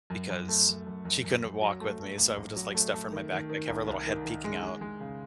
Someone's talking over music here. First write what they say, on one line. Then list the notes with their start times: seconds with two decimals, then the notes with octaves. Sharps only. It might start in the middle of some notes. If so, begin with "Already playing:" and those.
because she couldn't walk with me, so, I would just, like, stuff her in my backpack, have her little head peeking out
0.10 F#2
0.29 F#2
0.48 A3
0.67 F#2
0.86 F#2
1.05 F#2
1.24 F#2
1.43 F#2
1.62 F#3
1.81 A3
1.99 A3
2.18 A1
2.37 A1
2.56 F#3
2.75 A3
2.93 A3
3.12 D#3
3.31 D#3
3.49 D#3
3.69 C2
3.87 C2
4.07 D#3
4.25 D#3
4.44 G#3
4.63 G#3
4.81 G#3
5.00 C#3